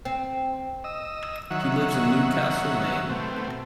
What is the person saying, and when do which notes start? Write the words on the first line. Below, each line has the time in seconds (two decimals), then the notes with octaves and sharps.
He lives in Newcastle, Maine.
0.05 C4
0.84 D#5 E6
1.51 D#3 F#3 E5 F#5
3.09 B2 A3 C4